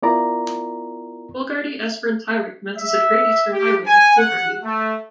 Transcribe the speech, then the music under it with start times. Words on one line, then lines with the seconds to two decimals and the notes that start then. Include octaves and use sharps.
Coolgardie-Esperance Highway commences at Great Eastern Highway at Coolgardie.
0.03 B3 E4 F4 A#4 D5 A#5
2.77 E5
3.53 G4
3.86 G#5
4.17 F#5
4.64 A3